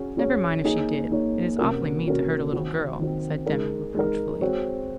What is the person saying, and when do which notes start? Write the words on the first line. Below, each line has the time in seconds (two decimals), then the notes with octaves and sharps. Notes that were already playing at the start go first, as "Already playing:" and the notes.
"Never mind if she did; it is awfully mean to hurt a little girl," said Demi, reproachfully.
Already playing: F#3 C#4 G#4 C#5
0.17 F#3 C#4 G#4 C#5
0.64 A#3 D#4 G#4 C#5
1.12 A#3 D#4 G#4 C#5
1.59 C3 F#3 C#4 F#4 A#4
2.06 C3 F#3 C#4 F#4 A#4
2.53 D#3 F#3 C4
2.99 D#3 F#3 C4
3.46 G#3 D#4 A#4
3.94 G#3 D#4 A#4
4.41 G#3 C4 F#4 C#5